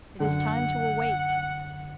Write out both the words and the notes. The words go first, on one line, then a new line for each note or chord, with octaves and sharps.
It is time to awake.
F#2 D3 F#5